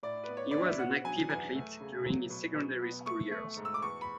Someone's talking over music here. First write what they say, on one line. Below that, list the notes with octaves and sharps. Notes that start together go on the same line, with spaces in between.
He was an active athlete during his secondary school years.
A2 D5
B3 B4
C#5
B3 D5
E5
B2 F#5
F#3 G#5
E2 G#5
A3
C#3
F#3
B2
B2
B3
A3 C#6
A3
G#2
E6
D6
E2 C#6
B5